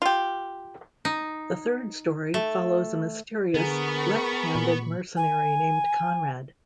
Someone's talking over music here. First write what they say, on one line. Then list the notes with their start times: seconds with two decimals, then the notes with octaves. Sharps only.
The third story follows a mysterious, left-handed mercenary named Konrad.
0.02 F4 G4
1.05 D#4
2.34 A3
3.54 D3 B3 G#4 A#4 B5 C#6
4.55 A#2
5.17 G#5